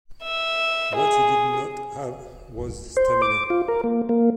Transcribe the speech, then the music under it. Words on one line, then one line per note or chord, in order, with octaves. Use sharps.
What he did not have was stamina.
E5
G#4
C5
D6
F4
A#4
A#3
A#3